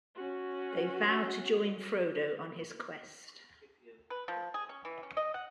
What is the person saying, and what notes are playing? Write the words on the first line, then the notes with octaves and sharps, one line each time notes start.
They vow to join Frodo on his quest.
C#4 F#4
B4
F3
G#4
C#4
E3
C#4
D#5
F#5